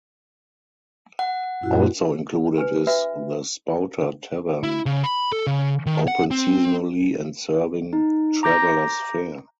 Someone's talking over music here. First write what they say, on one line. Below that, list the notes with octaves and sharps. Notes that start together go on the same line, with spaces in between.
Also included is The Spouter Tavern, open seasonally and serving "travelers' fare".
F#5
F#2 A#2 E4 F#4
B4 G#5
D4 F#4 B4 E5
E4
C#3
B5
A4
C#3
D#3
F#5
C4
D#4
A#5 D6 G6 A#6